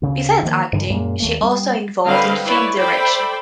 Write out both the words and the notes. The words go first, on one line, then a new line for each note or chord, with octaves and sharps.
Besides acting she also involved in film direction.
D2 C#3
D#3 F3 G#3 A#3
G2 D3 E3
F#2 A#2 G#3 A#3
D#2 A3 A#3
G3 A#3 C4
D3 G3 C4 B4 D#5 F5
E4 B4 C#5 D5
A4 C5 D5 E5 G5 B5